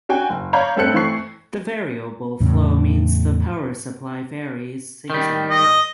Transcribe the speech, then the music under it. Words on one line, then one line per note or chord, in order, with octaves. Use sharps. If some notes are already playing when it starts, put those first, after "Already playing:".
The variable flow means the power supply varies seasonally.
D4 F#4 G5 G#5
F#1
C#5 D5 F5 A#5 B5 G6
G2 A3 C4 A4 F#6 C#7
E3 A3 C4 C#6 C7
E2 A2 C#3
D#3 G3
D#5